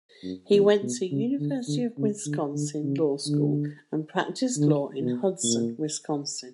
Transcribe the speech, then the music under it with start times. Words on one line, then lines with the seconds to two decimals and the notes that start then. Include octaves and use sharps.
He went to University of Wisconsin Law School and practiced law in Hudson, Wisconsin.
0.24 F#2
0.53 E2
0.82 B2
1.11 C#3
1.39 D3
1.68 D3
1.97 C#3
2.26 D3
2.55 D3
2.83 C#3
3.26 D3
4.57 D3
5.00 B2
5.44 A#2